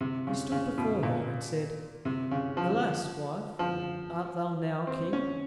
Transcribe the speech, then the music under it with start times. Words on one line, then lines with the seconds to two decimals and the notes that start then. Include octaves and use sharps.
He stood before her, and said, "Alas, wife, art thou now king?"
0.01 C3
0.27 C#3
0.52 C#3
0.78 B2
1.03 A#2
2.05 C3
2.31 C#3
2.57 F3
3.59 F3
4.87 C4
5.13 C#4